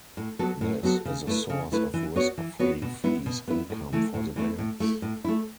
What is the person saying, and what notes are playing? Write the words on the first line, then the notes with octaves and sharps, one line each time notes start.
This is a source of risk free fees income for the banks.
A2
F#3 B3 F#4 A4
A2
F#3 B3 F#4 A4
C#3
A3 E4 B4
C#3
A3 E4 B4
E3
B3 F#4 C#5
E3
B3 F#4 C#5
B2
B3 E4
B2
B3 E4
A2
E3 A3 E4
A2
E3 A3 E4
A2
A3 E4
A2
A3 E4